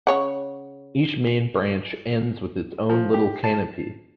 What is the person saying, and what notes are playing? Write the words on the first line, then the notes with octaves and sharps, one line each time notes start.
Each main branch ends with its own little canopy.
C#3 C#5 F#5
F3
G4
A5